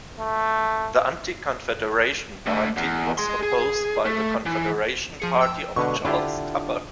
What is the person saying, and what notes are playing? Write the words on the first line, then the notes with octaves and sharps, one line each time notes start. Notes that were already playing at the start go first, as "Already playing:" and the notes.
The Anti-Confederation Party was opposed by the Confederation Party of Charles Tupper.
A3
D3 A3
E2
G#4 C6
G#4
A3
E3
F3 G#4 C#7
G5 E6
B2 D3 G#3 B4 C#6
D3 D4 E4 F4 G4